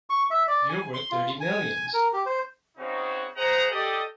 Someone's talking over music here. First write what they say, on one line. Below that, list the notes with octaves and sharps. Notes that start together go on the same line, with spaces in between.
You're worth thirty millions!
C#6
E5
D5
G#5
C6
F4
G#5
A#4
G4
C5
C#3 C4 D#4 F#4
C#3 G#4 C5 D#5 F#5 A#5
G4 A4 D5 D#5